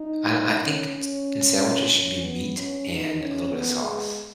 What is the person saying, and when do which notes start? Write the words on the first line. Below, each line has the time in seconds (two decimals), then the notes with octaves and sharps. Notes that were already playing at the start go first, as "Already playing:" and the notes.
I I think ts in sandwiches, should be meat and a little bit of sauce.
Already playing: D#4
0.62 C#4
0.95 C#4
1.90 C#4
2.23 B3
2.56 C#4
2.88 D#4
3.19 C#4
3.51 B3
3.83 G#3